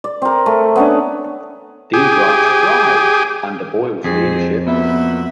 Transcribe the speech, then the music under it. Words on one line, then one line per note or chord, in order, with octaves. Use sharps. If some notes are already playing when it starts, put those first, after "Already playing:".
D Branch thrived under Boyle's leadership.
D5
C4 A#4
A3
B3 C#4 D4
G4 G#4
F2 C4 G#4
A#2 B3 F#4 B4 E5